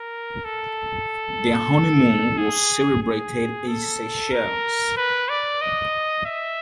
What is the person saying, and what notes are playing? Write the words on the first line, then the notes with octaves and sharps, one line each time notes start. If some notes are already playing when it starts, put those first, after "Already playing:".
Their honeymoon was celebrated in Seychelles.
Already playing: A#4
A4
G#4
G#4
A4
A#4
B4
D5
D#5
E5